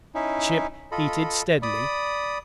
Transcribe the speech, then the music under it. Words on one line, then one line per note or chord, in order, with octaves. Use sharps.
The ship heated steadily.
C#4 D#4 E4
F4 A4 D#5 B5
D5 B5 D#6